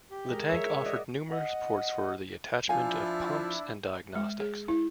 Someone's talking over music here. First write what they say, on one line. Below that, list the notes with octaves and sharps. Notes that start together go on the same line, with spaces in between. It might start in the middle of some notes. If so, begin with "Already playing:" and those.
The tank offered numerous ports for the attachment of pumps and diagnostics.
G4
G#3 A#4
C#5 E5
F#4 D5 D#5
D#5 F#5
F3 D4 E4 F5 G#5
G#3
G#4
E4